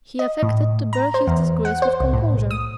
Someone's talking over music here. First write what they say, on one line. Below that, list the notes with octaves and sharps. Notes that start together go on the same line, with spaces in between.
He affected to bear his disgrace with composure.
D#5
A2
A#5
C5
E2
F#5
C5
C2
A2
B1
D#6